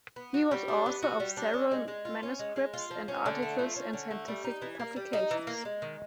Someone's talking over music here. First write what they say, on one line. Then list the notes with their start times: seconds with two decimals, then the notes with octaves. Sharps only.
He was author of several manuscripts and articles in scientific publications.
0.16 B3
0.34 F#4
0.51 G3
0.68 D4
0.86 B3
1.02 F#4
1.20 G3
1.37 D4
1.53 C#4
1.71 G#3
1.88 G#3
2.05 F4
2.23 C#4
2.39 G#3
2.56 G#3
2.74 F4
2.91 F3
3.08 C#4
3.26 D3
3.42 A3
3.59 F3
3.76 C#4
3.93 D3
4.11 A3
4.28 G3
4.44 D#4
4.62 E3
4.80 A#3
4.96 G3
5.13 D#4
5.31 E3
5.47 A#3
5.65 G#3
5.82 D#3